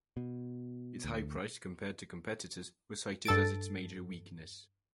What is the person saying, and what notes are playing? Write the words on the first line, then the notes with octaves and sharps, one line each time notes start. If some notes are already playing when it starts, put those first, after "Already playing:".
Its high price compared to competitors was cited as its major weakness.
B2
D2
G2 A4 A6 D7